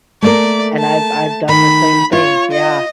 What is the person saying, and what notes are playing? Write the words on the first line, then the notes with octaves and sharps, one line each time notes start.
and I've I've done the same thing, yeah.
A3 A#3 A#4 D5
A5
D#3 B5
F4 C#5
D#5